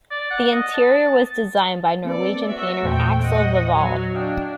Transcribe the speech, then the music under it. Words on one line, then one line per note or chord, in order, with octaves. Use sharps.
The interior was designed by Norwegian painter Axel Revold.
D5
F#5
D#5
A5
A#3 C4 A4 B4 D5
F#4 E5
E2 A#2 A3 C5 G5
D#5 F#5
F#3
D4 D#5 F5 G5